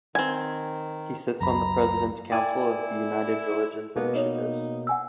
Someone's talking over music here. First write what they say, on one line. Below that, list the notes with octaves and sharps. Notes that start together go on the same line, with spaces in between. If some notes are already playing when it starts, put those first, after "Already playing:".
He sits on the President's Council of the United Religions Initiative.
D#3 C4 G#5
C#2 F#2 A#5 B5
E4 D5 G5 G#5
B2 A#3 B3
D#4 B4 C#5
F#5 G#5 E6